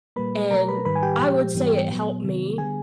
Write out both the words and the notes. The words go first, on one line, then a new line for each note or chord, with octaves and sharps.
and I would say it helped me
A#2 G3 A#3 B4 B5
B2 F#3 A3 A#4 A#5
B4 B5
G#2 D#3 G3 B4 B5
G#5
G4 G5
A#2 F3 G#3
G#2 E3 G3 B3
A#2 F#3 B3
C3 D#3 F#3 B3
D3 G3 B3 G#4 G#5